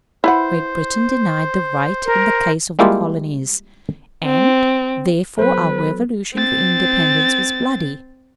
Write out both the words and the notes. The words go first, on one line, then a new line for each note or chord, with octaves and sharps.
Great Britain denied the right in the case of the colonies, and therefore our revolution for independence was bloody.
E4 B4 C5 F#5
A#4
G3 G#3 A#3 E4 F4 G4
C4
F#3 B3 A4 B4 C5
C4 A6